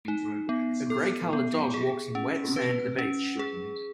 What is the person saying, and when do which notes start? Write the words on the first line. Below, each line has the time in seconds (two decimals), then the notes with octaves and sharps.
A gray colored dog walks in wet sand at a beach.
0.08 D#4
0.49 B3
0.90 A4
1.33 B3
1.74 G#4
2.15 C#4
2.56 B4
2.99 C#4
3.39 G#4